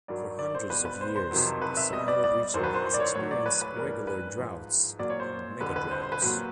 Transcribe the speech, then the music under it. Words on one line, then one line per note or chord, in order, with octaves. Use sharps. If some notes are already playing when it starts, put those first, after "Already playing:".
For hundreds of years, the Sahel region has experienced regular droughts and megadroughts.
G2 D#3 F#3 D5
D5
C5
B2 G3 B4
B4
C5
C5
F2 C3 D#3 F#3
B4
E5
B2 G3 D#5
D5
D5
F#2 D#3 F#3 C5
B4
C5
C5
D5
C#5
A2 F#3 C#5
D5
B4
B4
G2 E3 G3 A#4
B4
G#2 F3 G#3
A#2 F#3 D5
C#5
C5
F2 D3 G3 B4
B4
C5
C5
B4
A#2 F#3 B4